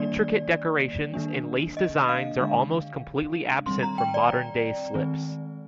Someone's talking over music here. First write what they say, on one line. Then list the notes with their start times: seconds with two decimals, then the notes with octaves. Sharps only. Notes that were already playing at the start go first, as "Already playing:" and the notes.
Intricate decorations and lace designs are almost completely absent from modern day slips.
Already playing: D#3 G3 A#3 D4 D5
1.14 D#3 A#3 D4
1.77 D#5
2.09 F5
2.40 D3 G#3 D4 F5
3.66 D#3 G3 C4 C6
3.83 A#5
3.98 G5
4.14 D5
4.94 D#3 G#3 C4